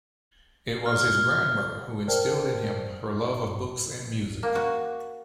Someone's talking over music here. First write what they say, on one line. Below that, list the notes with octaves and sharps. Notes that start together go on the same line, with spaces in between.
It was his grandmother who instilled in him her love of books and music.
F6
A#4 C5 D5 G5 A5 F6
A#3
F#4